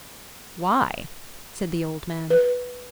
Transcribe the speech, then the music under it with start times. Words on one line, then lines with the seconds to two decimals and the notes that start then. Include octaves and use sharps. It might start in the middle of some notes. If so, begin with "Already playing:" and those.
"Why?" said the old man.
2.30 B4